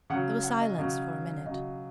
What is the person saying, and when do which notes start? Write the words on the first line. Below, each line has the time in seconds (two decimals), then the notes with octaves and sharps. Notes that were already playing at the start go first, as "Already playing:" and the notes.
There was silence for a minute.
0.10 C#3 F#5
0.14 F#3
0.44 F#5
0.61 D#5
0.79 C#3 F#3
1.46 C#3 F#3 D#5